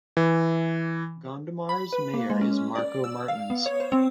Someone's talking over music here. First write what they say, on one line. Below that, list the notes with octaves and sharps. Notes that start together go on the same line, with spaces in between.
Gondomar's mayor is Marco Martins.
E3
B5
B4
A#3
G#3
C#4
D5
E6
F5
B3
C#5
C5
C4